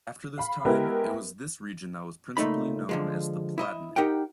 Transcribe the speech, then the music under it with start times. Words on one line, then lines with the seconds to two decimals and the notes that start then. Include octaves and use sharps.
After this time, it was this region that was principally known as the Palatinate.
0.38 F5 B5
0.65 G#3 B3 E4 G4 A#4 B4
2.37 C#2 A#2 A3 D#4 B5
2.89 D3 F3 G#3
3.58 E4 D#5 E5
3.96 D#4 G4 A#4 F#5 G5